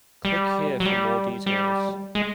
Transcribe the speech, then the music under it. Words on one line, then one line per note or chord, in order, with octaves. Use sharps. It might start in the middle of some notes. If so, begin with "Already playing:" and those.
Click here for more details.
G3
F#3
G3
G3
G#3